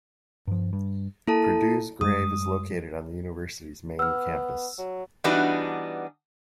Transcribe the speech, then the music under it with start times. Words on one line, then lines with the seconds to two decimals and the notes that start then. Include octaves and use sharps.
Purdue's grave is located on the university's main campus.
0.47 G2 F3
0.73 G2
1.27 A#3 E4 A4 A5
2.01 F#2 G3 G#3 D#6
3.99 B3 E6 F6
4.78 F#3
5.24 E3 G3 B3 D4 D#4 F#4